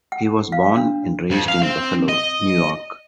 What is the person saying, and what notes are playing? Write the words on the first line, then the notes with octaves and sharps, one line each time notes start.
He was born and raised in Buffalo, New York.
F#5
F5
D4
F2
F5
C4
D#5